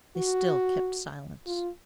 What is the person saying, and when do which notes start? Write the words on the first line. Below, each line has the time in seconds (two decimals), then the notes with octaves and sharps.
They still kept silence.
0.17 F#4
1.46 F4